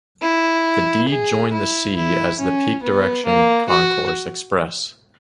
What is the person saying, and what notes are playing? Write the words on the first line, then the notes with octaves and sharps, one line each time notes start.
The D joined the C as the peak direction Concourse Express.
E4
G#4
E4
E4
C#4
B3
A#3
F#4